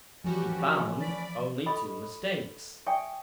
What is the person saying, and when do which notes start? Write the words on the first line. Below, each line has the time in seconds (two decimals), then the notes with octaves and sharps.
He found only two mistakes.
0.24 E3 F3 G3 A3 B3 C#4 F#4 G4
1.00 D5 B5
1.66 F4 A4 D#5 B5 C#6 D#6
2.86 D5 E5 G5 G#5 C#6 D#6